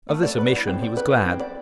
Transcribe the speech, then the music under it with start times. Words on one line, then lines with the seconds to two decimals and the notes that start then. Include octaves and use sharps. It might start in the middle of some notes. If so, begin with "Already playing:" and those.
Of this omission he was glad.
0.09 A3
0.23 D5
0.38 B4
0.53 E4
0.67 C4
0.82 D5
0.97 B4
1.11 E4
1.25 C4
1.40 D5